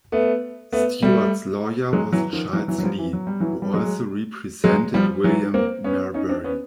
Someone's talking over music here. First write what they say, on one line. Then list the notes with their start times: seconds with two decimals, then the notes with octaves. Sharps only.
Stuart's lawyer was Charles Lee, who also represented William Marbury.
0.12 A3 B3
0.72 A3 B3
1.02 G3 A3
1.93 F#3 G#3
2.13 E3 F#3
2.33 D#3 F3
2.53 E3 F#3
2.68 E3 F#3
2.78 F#3
2.83 F3 G3
2.98 E3
3.13 F#3
3.27 G3
3.40 E3 F#3
3.62 G3
3.74 F#3 G#3
4.64 F#3 G#3
4.94 F3 G3
5.24 E3 F#3
5.54 A#3 C4
5.84 B3 C#4
6.14 C#4 D#4
6.29 C4 D4
6.44 B3 C#4